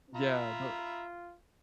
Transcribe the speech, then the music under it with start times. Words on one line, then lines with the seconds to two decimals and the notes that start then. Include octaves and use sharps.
yeah, but
0.15 F4 E5 A#5 B5